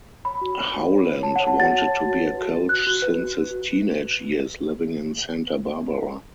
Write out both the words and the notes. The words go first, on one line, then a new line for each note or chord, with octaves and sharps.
Howland wanted to be a coach since his teenage years living in Santa Barbara.
C#5 B5
F#4
C#5
F#4
C#5
C#5
C#5 A5
C#5 F#5
A5
F#4 A6
F#4
C#5
F#4
B4
F#4
F#4
F#4 F#6
F#4
B4
F#4
B4
F#4